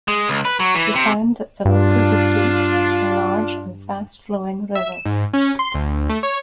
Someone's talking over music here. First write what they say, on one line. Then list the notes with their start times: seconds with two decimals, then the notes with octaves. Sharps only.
He found that the Lukuga creek was a large and fast-flowing river.
0.08 G#3
0.28 C#2
0.45 B4
0.60 F#3
0.75 E3
0.95 C3
1.66 G2 D4 F4
4.75 E5
4.92 E7
5.05 G#2
5.34 C#4
5.59 C6
5.74 D2
6.10 A3
6.23 C#5